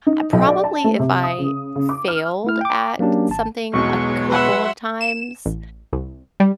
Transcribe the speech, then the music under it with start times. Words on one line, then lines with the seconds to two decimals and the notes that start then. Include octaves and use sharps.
I probably, if I failed at something a couple of times,
0.07 D#4
0.33 B1
0.48 D5
0.64 A5
0.84 A3
0.99 C3
1.23 D#6
1.38 C#3
1.75 C#3
1.89 D6
2.08 F6
2.45 A3 E4 F6
2.61 G5 D6
2.99 F#3 A#3 C#4 D4 G4
3.29 G#1 A5
3.73 B1 E2 B2 F#3 G#3 C#6
4.29 B4 E5 F#5 C6
5.01 E7
5.46 A1
5.93 C2
6.40 G3